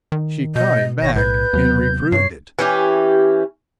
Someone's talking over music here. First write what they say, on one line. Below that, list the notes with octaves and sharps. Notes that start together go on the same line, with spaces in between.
She caught it back and reproved it.
D#3
B2 D#5 G6
G#1 D#3 C#5 A#6
B1 A2 B4 G6 G#6
D#2 C3 F#3 B3
G2 C#5 C7
E3 C#4 G4